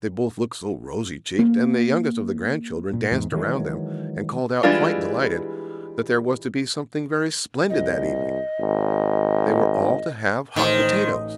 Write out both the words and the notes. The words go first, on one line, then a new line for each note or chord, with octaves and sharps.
They both looked so rosy-cheeked; and the youngest of the grandchildren danced around them, and called out quite delighted, that there was to be something very splendid that evening--they were all to have hot potatoes.
A#3
A#2
E2 G#2
D#3 E3 F#3 G#3
E3 G3 G#3 D4 F4
C2 D#5
G#1
A1 D#3 C5